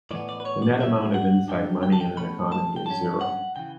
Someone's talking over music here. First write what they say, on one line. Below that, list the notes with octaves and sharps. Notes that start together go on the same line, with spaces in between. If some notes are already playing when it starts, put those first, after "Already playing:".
The net amount of inside money in an economy is zero.
A2 E3 B3 D5
D5
B4
C#5
D5
G2 F#3 C#4 E5
F#5
F#2 D3 G3 D4 G5
G5
A5
G5
B2 A3 C#4 B5
A5
G5
G2 F#3 C#4 A5
F#5
C#3 E3 G5